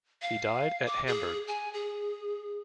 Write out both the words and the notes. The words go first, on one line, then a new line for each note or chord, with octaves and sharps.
He died at Hamburg.
F5
D6
G#4
G#5
G#4